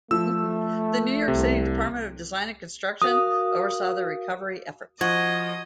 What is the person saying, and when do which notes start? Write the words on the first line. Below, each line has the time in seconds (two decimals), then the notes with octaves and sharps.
The New York City Department of Design and Construction oversaw the recovery efforts.
0.11 F3 A3 E6
1.28 C2 C3
3.02 F#4 A#4 F5 D#6
5.01 F3 F#4 D#5 G#6